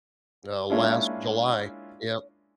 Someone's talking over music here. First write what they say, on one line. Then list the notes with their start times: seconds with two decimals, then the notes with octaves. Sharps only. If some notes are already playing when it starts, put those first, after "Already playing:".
uh, last July Yep.
0.70 G#3 A#3 C#4 D4 E4 F4